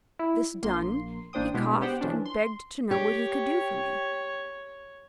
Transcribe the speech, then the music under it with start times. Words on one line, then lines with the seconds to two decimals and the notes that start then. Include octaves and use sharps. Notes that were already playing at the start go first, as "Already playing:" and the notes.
This done, he coughed, and begged to know what he could do for me.
0.19 E4
0.63 A#1 A#3 C6
1.33 A1 A#3 D4 C5 G5 D#6
1.54 B2 G#3 B3 D4 E4 G4
1.81 B3 G4 C5 F#5 G5
2.01 E3 F3 C#4 D4
2.25 C6
2.91 G4 C#5